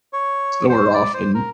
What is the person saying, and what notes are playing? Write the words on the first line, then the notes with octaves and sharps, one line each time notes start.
so we're off and
C#5
C5
D5
C5
A#4